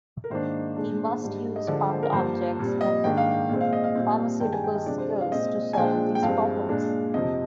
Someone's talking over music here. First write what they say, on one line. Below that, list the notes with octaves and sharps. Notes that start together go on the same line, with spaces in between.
He must use found objects and pharmaceutical skills to solve these problems.
A#4
G#2 D#3 A#3 D4 C5
A#2 G#3 D4
G#2 G3 D4
D#5
D3 F3 G#3 D5
C5
A#4
G2 F3 A#3 C5
A#2 G3 C4
D#5
G#2 D#3 A#3 D4 G5
F5
G5
A#2 G#3 C4
F5
D#5
F5
A#2 G3 C4
G2 D#3 G#3 G5
G#5
G5
D#5
C3 F3 G#3 D4 D5
C5
D5
F5
A#2 G#3 C4 D#5
G#5
A#2 F3 G#3 D4 G5
G5
G2 F3 G#3 C4 F5
A#2 G#3 D4
F2 C3 F3 D#5